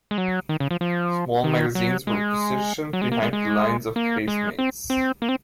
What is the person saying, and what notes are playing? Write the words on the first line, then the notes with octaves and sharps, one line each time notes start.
Small magazines were positioned behind the lines of casemates.
G#3
F#3
D#3
C#3
F3
F3
D#3
F#3
G#3
F#3
G#3
A#3
G#3
G#3
A#3
G#3
C4
C4
A#3
C4